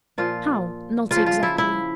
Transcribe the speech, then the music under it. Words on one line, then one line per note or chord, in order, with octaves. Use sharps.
"How, not exactly?"
A#2 F3 F4
C#3 F4
F3
F4
E4
E4